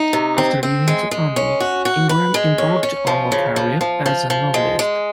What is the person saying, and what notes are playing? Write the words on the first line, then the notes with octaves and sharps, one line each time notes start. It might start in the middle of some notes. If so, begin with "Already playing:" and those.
After leaving the Army, Ingram embarked on a career as a novelist.
Already playing: D#4
C3
C4
C4
G#3
G#3
C#4
F#4
F#4
B4
G#3
C#4
C#4
F3
C#3
F3
F3
F3
F3
G#3
G#3